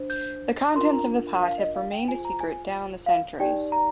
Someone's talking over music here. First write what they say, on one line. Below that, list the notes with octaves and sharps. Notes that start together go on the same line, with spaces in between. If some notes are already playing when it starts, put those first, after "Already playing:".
The contents of the pot have remained a secret down the centuries.
Already playing: D4 C5
G6
D4 F4 A#4 C6
A#5
F5
D#5
F5
G5
F4 G#4 C5 G#5
A#5
G#5
F5
D#4 G4 D5 G5
A#5